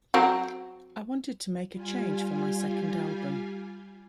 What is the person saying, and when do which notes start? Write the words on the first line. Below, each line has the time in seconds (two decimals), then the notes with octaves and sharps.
I wanted to make a change for my second album.
0.14 F#3 C4 F#4
1.72 G3 F4 G#5